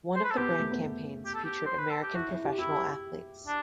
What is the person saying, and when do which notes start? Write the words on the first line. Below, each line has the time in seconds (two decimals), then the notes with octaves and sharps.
One of the brand campaigns featured American professional athletes.
0.16 C5
0.24 B4
0.30 A4
0.38 B3 G4
0.48 B3
0.60 A3
0.71 B3
0.83 B3
1.26 G4
1.35 A4
1.44 G4
1.66 C5
1.78 B4
1.90 A4
2.03 G4
2.15 E4 F#4
2.29 E4
2.45 G4
2.59 E4 G4
3.47 D4